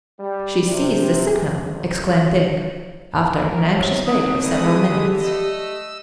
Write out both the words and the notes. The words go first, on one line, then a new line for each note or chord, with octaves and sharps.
"She sees the signal!" exclaimed Dick, after an anxious wait of several minutes.
G3
C3
A1
A#4
C3 D#3 C#5
D3 E3 F#3 C4 D#6
A2 G#3 B4 D5 D#6
D3 G4
A3 D#5 E6